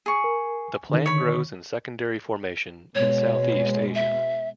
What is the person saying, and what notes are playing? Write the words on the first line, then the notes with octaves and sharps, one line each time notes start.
The plant grows in secondary formation in Southeast Asia.
G#4 C#6
A#4
D3 D#3
C#5 B5
B2 G#3 C#5
E5